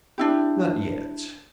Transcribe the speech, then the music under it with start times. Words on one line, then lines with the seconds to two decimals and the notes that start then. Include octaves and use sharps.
"Not yet."
0.18 D4 E4 G4